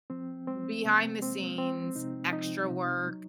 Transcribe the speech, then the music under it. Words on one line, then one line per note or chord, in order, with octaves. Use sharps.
Behind the scenes, extra work
F3 C4
G#3 C4
C3 A#3
G#3 C4
F3 C4
C3 D#4
F3 D#4
C3
F#3